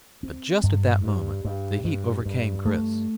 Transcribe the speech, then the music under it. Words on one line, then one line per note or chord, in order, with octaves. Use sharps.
But just at that moment the heat overcame Chris.
C4
G2
G2
G2
G2
G2
A3